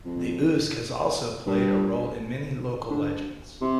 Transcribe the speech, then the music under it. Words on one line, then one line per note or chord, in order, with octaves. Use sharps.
The Usk has also played a role in many local legends.
F2
G2
D3
C3